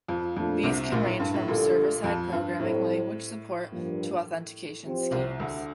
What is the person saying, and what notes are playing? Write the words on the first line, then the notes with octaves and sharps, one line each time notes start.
These can range from server-side programming language support to authentication schemes.
F2 F3
F2 A#2 F3 A3 D4
C2 C3
A#1 A#2
A2
G2
A2
A#1 A#2 D3 G3 D4 A4
F2 F3
G2
A2 G3 C4 E4 A4 C5
G2 F3 A#3
F3 C4 G4 C5
C2 C3
D2 D3